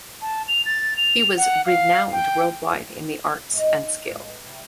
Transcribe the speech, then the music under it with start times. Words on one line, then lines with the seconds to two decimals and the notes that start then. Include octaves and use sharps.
He was renowned worldwide in the arts and skill.
0.22 A5
0.48 F7
0.66 A6
0.97 F7
1.37 F#5
1.66 F5
2.12 G5
3.50 G#2 B2 D#5
3.72 D#2
3.90 F2
4.10 A2 G#3 A#3
4.28 A2 B4
4.46 C3 G3 E4